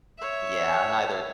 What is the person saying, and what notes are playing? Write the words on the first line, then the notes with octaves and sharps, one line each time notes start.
Yeah, neither
C#5 E5